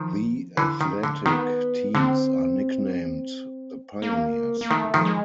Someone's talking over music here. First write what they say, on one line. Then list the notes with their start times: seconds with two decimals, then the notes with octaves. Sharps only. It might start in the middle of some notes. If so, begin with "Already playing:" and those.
The athletic teams are nicknamed the Pioneers.
Already playing: D#3 F3
0.57 D3 E3
0.81 D#3
1.03 D3
1.26 D#3 B3
1.95 D3 C4
4.02 A#3
4.61 A#3
4.71 D#3 A3
4.94 D#3 F3
5.05 G#3